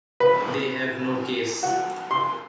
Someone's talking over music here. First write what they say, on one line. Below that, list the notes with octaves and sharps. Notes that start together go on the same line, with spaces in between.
They have no case.
B4
F#4
C6